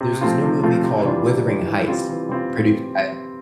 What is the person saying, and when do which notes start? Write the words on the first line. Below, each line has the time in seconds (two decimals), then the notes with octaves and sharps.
there's this new movie called Wuthering Heights produced by
0.01 C3
0.21 F3 A3 C4 F4
0.43 C3
0.63 F3 A3 C4 F4
0.83 C3
1.04 E3 G3 D4 F4
1.25 C3
1.46 E3 G3 D4 F4
1.67 E3
1.88 G3 C4 F4
2.09 E3
2.29 G3 C4 F4